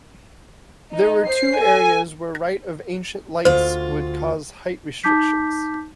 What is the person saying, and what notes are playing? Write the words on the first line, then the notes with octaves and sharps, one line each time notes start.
There were two areas where right of ancient lights would cause height restrictions.
D#4
C5 C7
A4 G#5
D2 F4 C5
D#4 A5 D6 G6 B6